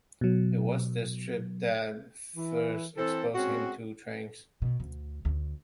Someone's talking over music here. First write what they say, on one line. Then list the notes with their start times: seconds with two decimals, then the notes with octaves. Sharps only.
It was this trip that first exposed him to trains.
0.21 B2 F#3
2.36 E3
2.97 E3 C4 A4
3.34 G#3 C4 C#4 F#4
4.62 B2
4.80 D2
5.25 D2